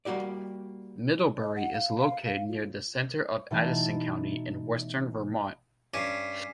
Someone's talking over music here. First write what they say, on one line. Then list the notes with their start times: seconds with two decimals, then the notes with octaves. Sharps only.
Middlebury is located near the center of Addison County in western Vermont.
0.05 G3 A#3 F#4 G4 D5
1.41 D#5
1.56 F#5
1.73 F5
2.00 F5
2.25 F5
2.48 F4
3.51 B2 E3 A3 D#4 A4
5.94 G2 C#4 D6 B6 C7